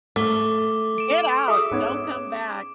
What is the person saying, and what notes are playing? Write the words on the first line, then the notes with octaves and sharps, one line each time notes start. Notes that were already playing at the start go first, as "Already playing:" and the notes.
Get out, don't come back.
G#2 A3 D6 G7
D7 E7
G#4 E5 C#6 D#6 E6
G#2 B3 C#4 C#5